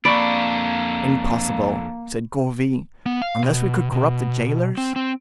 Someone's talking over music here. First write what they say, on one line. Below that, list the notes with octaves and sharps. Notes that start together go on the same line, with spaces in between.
"Impossible," said Gourville, "unless we could corrupt the jailers."
F2 A#3 D4 D5 B5 C#6
B3
F5
B2
B2
C4
C4